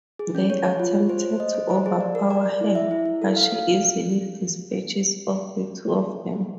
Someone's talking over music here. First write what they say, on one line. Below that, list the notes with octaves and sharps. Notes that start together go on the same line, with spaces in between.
They attempted to overpower her, but she easily dispatches of the two of them.
G#4
C#4
C#5
C#5
F4
F4
C5
C5
D#5
C5
C5
G#4
D5
A#4
D5
D5
E4
E5
E4
E4
A4
F5
F5